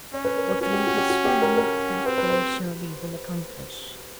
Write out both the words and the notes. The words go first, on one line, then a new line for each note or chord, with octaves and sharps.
What the league have sworn, that they surely will accomplish.
C#4 C#5
B4
A#4
B4
C#4 F#4
G4
F#4
G4
F#4
G4
A#4
A#4
C4 B4
B4
C5